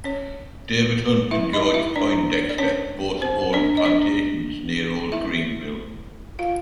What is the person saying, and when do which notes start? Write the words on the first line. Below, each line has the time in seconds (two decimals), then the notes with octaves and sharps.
David Hunt and George Poindexter both owned plantations near Old Greenville.
0.04 C#4 C#5
1.31 E4 E5
1.53 D#4 D#5
1.74 E4 E5
1.96 D4 D5
2.49 D5
2.58 C#4 C#5
3.22 C4 C5
3.53 D4 D5
3.77 D#5
3.85 D4 D5
5.12 E4 E5
6.39 F4 F5